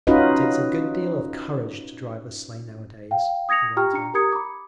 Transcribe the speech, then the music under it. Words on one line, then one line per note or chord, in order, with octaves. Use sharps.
"It takes a good deal of courage to drive a sleigh nowadays," he went on.
C#4 D#4 F4 F#4 B4 D#5
F5 G5
D#6 G#6 A#6 C#7 F7
F4 G4 G5 A#5 C#6 F6
D4 A#5 C#7
G4 A#4 A#5 D#6 G#6 C#7
B5 D6